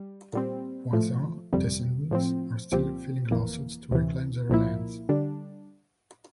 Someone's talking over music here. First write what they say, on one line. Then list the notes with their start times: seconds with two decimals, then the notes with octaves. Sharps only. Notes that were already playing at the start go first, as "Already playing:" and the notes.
Voisin descendants are still filing lawsuits to reclaim their lands.
Already playing: G3
0.33 A#2 G3 C4
0.93 A2 F3 A3
1.53 G1 F2 C3 G3
2.11 A2 F3 C4
2.72 C2 A#2 F3 C4 G4
3.31 G1 F2 E3 A#3
3.91 D2 C3 E3
4.50 C2 A#2 F3 A#3 E4
5.09 D3 G3 D4